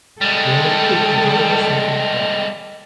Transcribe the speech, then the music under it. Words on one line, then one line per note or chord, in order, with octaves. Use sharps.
A girl in pink enjoying herself in the park.
G3 G#3 A4 G5